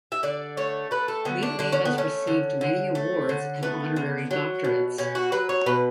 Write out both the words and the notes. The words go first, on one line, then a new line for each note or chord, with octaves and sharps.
Wheatley has received many awards and honorary doctorates.
E5
D3 D5
A3 C#5
A3 B4
A4
D3 B3
D4
D3 D4
C#4
B3
A3 C#4
D3
D3
A3
D3
A3 B3
D3
F#3
B2
B2 C#4
F#4
F#3 B4
C#5
B2 B4